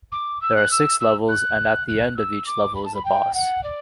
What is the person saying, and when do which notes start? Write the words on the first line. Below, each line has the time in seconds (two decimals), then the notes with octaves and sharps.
There are six levels and at the end of each level is a boss.
0.12 D6
0.41 E6
0.55 F#6
0.71 E6
1.00 E6
1.28 F#6
1.88 F#6
2.16 E6
2.46 D6
2.75 B5
2.85 A5
2.95 B5
3.04 G5
3.34 F#5
3.63 D5